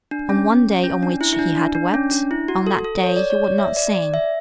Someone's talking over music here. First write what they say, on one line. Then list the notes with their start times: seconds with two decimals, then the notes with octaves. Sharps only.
On one day on which he had wept, on that day he would not sing.
0.11 D4
0.29 C#4
0.84 C#4
1.03 D4
1.21 E4
1.33 E4
1.39 D4
1.57 D4
1.75 D4
1.94 C#4
2.12 D4
2.31 E4
2.48 F#4
2.67 A4
2.84 A4
3.03 C#5
3.16 D5
3.30 C#5
3.44 D5
3.58 E5
3.77 D5
3.95 D5
4.14 E5